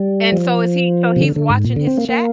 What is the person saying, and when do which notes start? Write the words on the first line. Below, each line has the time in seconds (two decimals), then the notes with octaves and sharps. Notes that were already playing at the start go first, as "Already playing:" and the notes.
And so is he so, he's watching his chat
Already playing: G3
0.32 F3
1.16 C3
1.21 D3
1.36 D3
1.50 G#2
1.64 A#2
1.76 D3
1.87 C4
1.98 A#3
2.09 A#3